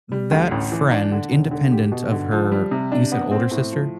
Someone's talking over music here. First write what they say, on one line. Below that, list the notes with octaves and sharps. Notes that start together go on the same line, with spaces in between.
that friend, independent of her, you said older sister?
G3
D2
A1
E3
D4
D3
E1
D3
G4
B2
D3
F3
G3
C3
D4
B3
C4
A2
F3